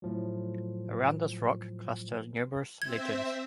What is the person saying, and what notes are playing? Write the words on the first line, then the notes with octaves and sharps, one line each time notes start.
Around this rock cluster numerous legends.
A2 F3 F#3
C4 C5 E5 G#6